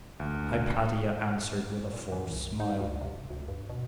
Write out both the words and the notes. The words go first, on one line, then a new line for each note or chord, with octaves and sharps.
Hypatia answered with a forced smile.
D2
A#2
E3
C2
D#4
D2
C3
D2
G2
B2